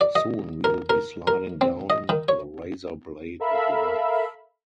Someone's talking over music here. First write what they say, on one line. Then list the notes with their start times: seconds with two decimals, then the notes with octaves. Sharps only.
Soon we'll be sliding down the razor blade of life.
0.01 D5
0.15 D#5
0.64 A#4
0.90 A#4
1.27 A#4
1.61 C4
1.90 D#5
2.09 D#3
2.28 C#5
3.40 A4 A#4 E5 F5 B5